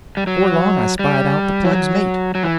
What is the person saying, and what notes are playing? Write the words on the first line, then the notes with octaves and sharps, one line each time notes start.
Before long I spied out the plug's mate.
G3
F#3
G3
E3
F#3
F#3
E3